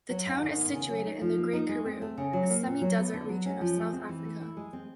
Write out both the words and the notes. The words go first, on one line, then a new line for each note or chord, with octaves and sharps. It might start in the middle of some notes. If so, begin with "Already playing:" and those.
The town is situated in the Great Karoo, a semi-desert region of South-Africa.
F#3
G#2
D#3
B3
C#3
F#3
D#4
F3
A#3
D#4
G#3
C4
A3
C#3
F#3
A#3
A#2
F#3
B3
D3
F#3
C#4
F3
G#3
C4
E3
A3
E4
G#3
C4